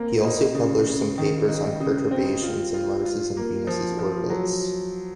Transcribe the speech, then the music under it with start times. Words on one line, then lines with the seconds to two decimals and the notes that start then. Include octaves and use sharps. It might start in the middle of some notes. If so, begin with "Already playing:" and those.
He also published some papers on perturbations in Mars' and Venus' orbits.
Already playing: A#3 C4
0.24 D#4
0.55 C#3
0.87 C#3
1.18 D#3
1.48 D#4
1.80 C#3
2.11 C4
2.43 F4
2.74 F4
3.06 F4
3.37 A#3
3.67 F3
3.99 F3
4.30 F#3